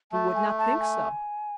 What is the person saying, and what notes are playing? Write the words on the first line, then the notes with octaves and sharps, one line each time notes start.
Who would not think so?
A3 A5
G#5
A5
G#5